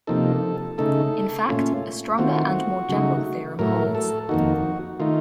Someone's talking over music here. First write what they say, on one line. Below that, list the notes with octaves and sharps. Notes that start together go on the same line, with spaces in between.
In fact, a stronger and more general theorem holds.
C3 F3 A#3 D#4 A4
C#3 A3 D#4 A4
A#2 A3 C#4 F4
D#3 A3 C4 F4 F#4
C#3 F#3 A3 D#4
A2 F#3 A3 A#4
A4
F2 D#3 A#3 D#4 F#4
D#3 A3 D#4 F4